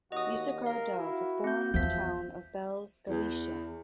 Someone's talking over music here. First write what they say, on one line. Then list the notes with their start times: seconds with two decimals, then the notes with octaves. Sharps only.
Yissachar Dov was born in the town of Belz, Galicia.
0.12 D#2 F#4 D#5 D#6
0.66 A#4 F5
0.98 E4 F#4
1.44 C4 G6
1.74 E2 F3 E5 G6 B6
3.09 E2